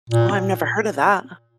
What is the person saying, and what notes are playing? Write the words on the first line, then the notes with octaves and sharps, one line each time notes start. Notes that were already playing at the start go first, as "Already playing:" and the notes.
Oh, I've never heard of that.
A#2